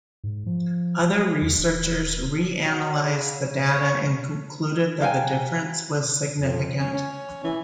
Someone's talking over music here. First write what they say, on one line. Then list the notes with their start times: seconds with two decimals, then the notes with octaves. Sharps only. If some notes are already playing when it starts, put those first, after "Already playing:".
Other researchers reanalyzed the data and concluded that the difference was significant.
0.24 G#2
0.46 F3
1.13 F#3
1.42 E2
1.58 D#1
2.64 F#3
3.04 C#3
3.71 C#5
5.01 F#3 F5 G5 G#5
6.39 F2
6.80 C#4
6.93 C#4
7.44 E3